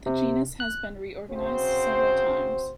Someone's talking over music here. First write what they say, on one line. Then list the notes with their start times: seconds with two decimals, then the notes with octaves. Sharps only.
The genus has been reorganized several times.
0.06 C3
0.60 F#6
1.31 C#3 C4 F#4 C5